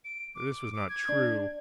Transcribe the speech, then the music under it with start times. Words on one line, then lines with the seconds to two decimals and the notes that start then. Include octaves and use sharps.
This was not true.
0.05 D7
0.35 D6
0.73 D6
0.89 G#6
1.09 D4